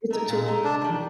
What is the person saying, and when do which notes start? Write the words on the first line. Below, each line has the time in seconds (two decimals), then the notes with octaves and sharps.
It's a tool, mm
0.10 A3 D#4 A#4
0.29 A#2
0.46 A3 D#4 A#4
0.64 C3 D4
0.82 D#3 G3